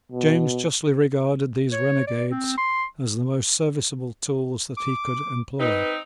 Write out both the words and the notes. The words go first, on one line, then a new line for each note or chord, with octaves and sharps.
James justly regarded these renegades as the most serviceable tools that he could employ.
B2
C#5
D5
C4
C6
D6
C4 D#4 B4